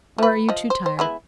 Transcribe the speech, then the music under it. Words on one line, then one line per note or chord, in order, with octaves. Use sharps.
Or are you too tired?
F3 B4
F3 D#5
C5
C5
G#3 B3 E4